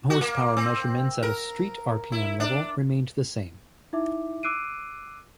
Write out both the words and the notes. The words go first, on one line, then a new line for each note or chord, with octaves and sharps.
Horsepower measurements at a "street" rpm level remained the same.
F#4
A#3
C4
A#4
E4
D4
D#4 E4 E5 D6
D6 E6 F#6 C7 D7 D#7